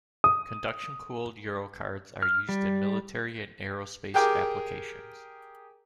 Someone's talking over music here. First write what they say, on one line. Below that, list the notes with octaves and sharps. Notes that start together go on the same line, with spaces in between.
Conduction-cooled Eurocards are used in military and aerospace applications.
D#6
F6
G3
G4 G#4 A#4 G5 D6